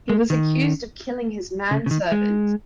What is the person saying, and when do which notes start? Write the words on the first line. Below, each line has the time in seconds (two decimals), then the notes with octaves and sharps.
He was accused of killing his manservant.
0.10 G#3
0.30 D#3
1.71 C#3
1.86 C#3
1.91 D#3
2.12 G#3